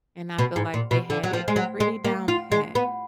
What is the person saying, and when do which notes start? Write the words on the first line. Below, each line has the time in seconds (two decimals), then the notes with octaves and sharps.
and I feel like they had it pretty down pat
0.38 B2
0.56 G#2
0.74 A#2
0.91 B2
1.10 D3
1.23 F#3
1.33 F3
1.48 G#3
1.56 F#3
1.80 G#3
2.05 A#3
2.28 F4
2.52 G#3
2.75 B3